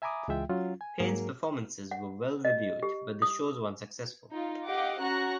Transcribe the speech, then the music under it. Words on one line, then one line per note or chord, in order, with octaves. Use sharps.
Payn's performances were well reviewed, but the shows were unsuccessful.
E5 G#5 A#5 B5 D6 D#6
C#2 E3 G#3 F4 E5 G5
F#3 C#4 F4
G#5
G#2 F#3 A#3 G#4 A#4
F#5
D#5
G4
D#6
D#4 F4
G4 D#5 F5 F#5 D6
C#4 F#4 A#5 C#6 F#6 A#6